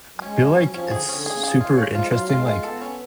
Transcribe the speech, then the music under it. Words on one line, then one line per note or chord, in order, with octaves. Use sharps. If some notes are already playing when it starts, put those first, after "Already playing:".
I feel like it's s super interesting, like,
F#3
G#3 C#4
C#4
F#3
F#3 C#4
F3
C#4
D3 G#4
F3
D3 C#4
C#3 G#4
G#4
C#3 F4
C#5
F3
G#3 F4
F#3
F4
G#3 F4
F4
B3 A4
C#4